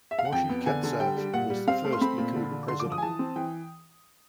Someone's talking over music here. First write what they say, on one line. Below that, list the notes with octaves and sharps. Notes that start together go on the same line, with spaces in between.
Moshe Katsav was the first Likud president.
E5
F5
F#5
F2 G5
B3
D3 G#5
D3
G3 G5
G3
A#2 F#5
G3
C4 F5
A3
C6
C4 B5
A#2
D3
D3
D3 C6
D6
F3
D#6
G#5
E3 A5
C4
E3 G5